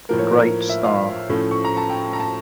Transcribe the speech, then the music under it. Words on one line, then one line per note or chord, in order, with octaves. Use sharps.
A great star.
A2 F3 A#3 A#4
C#5
A#4
A#4
E5
F5
A2 F3 A3 C#4
C#6
A#5
A5
G5
A#5
A5